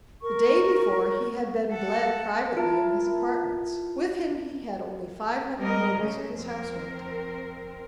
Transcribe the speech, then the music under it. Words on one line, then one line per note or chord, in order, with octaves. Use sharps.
The day before he had been bled privately in his apartments; with him he had only five hundred nobles of his household.
A#4 C#6
A4 F#5
E4 F4 A#4 A5
G3 A#4 D#5
C#3 A3
F2 C4 A#4